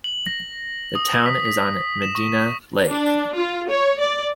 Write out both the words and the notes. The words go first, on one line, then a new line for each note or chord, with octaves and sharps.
The town is on Medina Lake.
F#7
A#6
D#6
B6
B6
E7
C#6
D4
F4
C#5
D5